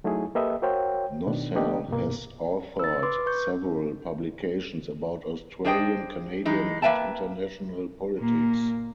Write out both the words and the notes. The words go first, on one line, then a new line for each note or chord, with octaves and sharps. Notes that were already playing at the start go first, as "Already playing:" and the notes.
Nossal has authored several publications about Australian, Canadian and international politics.
F#3 A3 D#4 E4 G#4
A#3 G4 A4 B4 D#5 E5
F#4 A#4 C5 C#5 F5 G5
B2 D#3 D4
F3 A3 B3 D4 G4 D#5
C2 G2 B2 A#3
E6 A6
B4 C6 D6
B4 C#6 G6
D4 G#4 C5 D#5 F#5 G5
E3 G#3 D#4
A#3 B4 E5 G5 A5
A#2 A#3